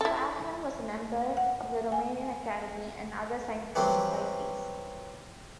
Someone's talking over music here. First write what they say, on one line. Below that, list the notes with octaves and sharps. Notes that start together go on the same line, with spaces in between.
Parhon was a member of the Romanian Academy and other scientific societies.
E4 A4
F#5
G#5
E3 F#3 G3 C4